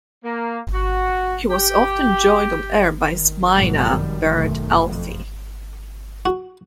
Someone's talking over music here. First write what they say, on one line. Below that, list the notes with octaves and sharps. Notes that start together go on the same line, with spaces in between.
He was often joined on air by his mynah bird Alfie.
A#3
F#4
G4
D#3
F2 G#2 B2 F#3
F#2 D#3 G3
B1 F#2 D#3 A3
F2
F#4